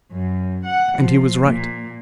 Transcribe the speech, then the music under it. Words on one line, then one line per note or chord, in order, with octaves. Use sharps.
And he was right.
F#2
F#5
F3
A#2